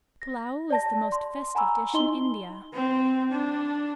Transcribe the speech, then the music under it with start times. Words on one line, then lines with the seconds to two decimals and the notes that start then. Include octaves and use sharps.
Pullao is the most festive dish in India.
0.22 A#6
0.70 D5 A5 A#6
1.12 C6
1.55 F#5 G#5 A#5 B5 C#6 E6
1.94 D#4 E4 D#5 C6 G7
2.74 C4
3.32 D4